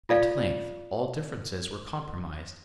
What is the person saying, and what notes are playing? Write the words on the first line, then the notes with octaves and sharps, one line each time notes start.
At length all differences were compromised.
F4 A4 D5 F5